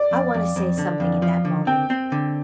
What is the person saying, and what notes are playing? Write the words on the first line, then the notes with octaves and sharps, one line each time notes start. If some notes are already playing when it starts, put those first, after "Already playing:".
I want to say something in that moment.
Already playing: D5
F2
F2
F2
D3
F2
F3
D3
C4 G5
C4
D3